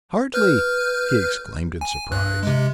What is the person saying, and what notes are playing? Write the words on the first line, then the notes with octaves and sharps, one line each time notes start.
"Hartly!" he exclaimed, in surprise.
B4 F6 G6
G#5
G2 F#6
C3 G#3